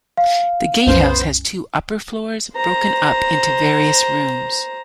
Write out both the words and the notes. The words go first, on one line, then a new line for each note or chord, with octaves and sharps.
The gatehouse has two upper floors, broken up into various rooms.
F5
C2 F#2 B3 C#4 C5
C5 A#5